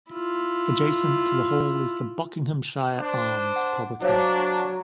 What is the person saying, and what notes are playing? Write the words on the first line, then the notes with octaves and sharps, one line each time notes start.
Adjacent to the hall is the "Buckinghamshire Arms" public house.
E4 F4
D4 C5
F#5
F#3 D4 C5 C#5 F5